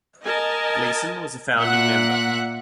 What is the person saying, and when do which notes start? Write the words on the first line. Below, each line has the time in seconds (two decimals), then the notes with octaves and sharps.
Gleason was a founding member.
0.23 A#4 D#5 G#5 A5
1.58 A#2 E5 F#5 F#6